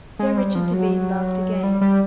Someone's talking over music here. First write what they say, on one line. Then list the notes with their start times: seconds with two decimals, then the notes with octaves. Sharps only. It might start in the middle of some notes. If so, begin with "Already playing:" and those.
Sir Richard Devine laughed again.
0.19 G#3
0.38 G3
0.55 F3
0.73 F#3
1.63 G3
1.81 G3